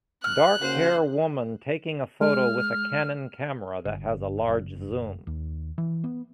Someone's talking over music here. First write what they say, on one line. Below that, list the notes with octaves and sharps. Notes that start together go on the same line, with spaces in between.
Dark hair woman taking a photo with a canon camera that has a large zoom.
F6 F#6
C#3 A#3 F#4 C5
G#3 F6
G1
F#1
D#2
E3
B3